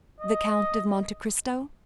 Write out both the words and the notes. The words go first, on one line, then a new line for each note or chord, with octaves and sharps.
"The Count of Monte Cristo?"
D#5